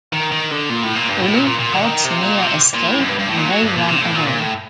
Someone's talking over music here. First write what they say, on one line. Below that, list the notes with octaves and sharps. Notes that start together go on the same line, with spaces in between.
Uly helps Mia escape and they run away.
D#3
D#3
D3
A#2
A2
A#2
G2
A2
A#2
A#2
A#2
D3
D#3
C3
A#2
C3
A#2
A2
F#2
G2
G2
A2
A#2
F#3
G2
A#2
C3
A2
A#2
A#2
A2